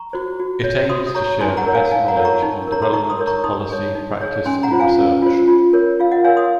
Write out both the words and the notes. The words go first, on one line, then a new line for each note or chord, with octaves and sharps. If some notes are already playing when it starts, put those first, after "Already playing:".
It aims to share the best knowledge on development, policy, practice and research.
Already playing: A#5 C#6
F#4 C5
F#4
C#5
F#4 C6 D#6
D#6
C#5 A#5 C#6
D#4 G#5 C6
F#5 A#5
A#4 C#5
F5 G#5
D#4 F5 G#5
F#5 A#5
A#4 C#5
A#5 C#6
D#4
A#4 C#5 A#5
C6
D#4 A#5 C#6
C6 D#6
A#4 C#5
A#5 C#6
D#4 C6 D#6
G#4 C#5
D#4
G#4 C#5
C#4 G#5 C6
F#5 A#5
F4 C5
F5 G#5
C#4
F4 C5
F4
A#4 C#5
F4 F5
D#5 F#5
A#4 C#5 F5 G#5
C6 D#6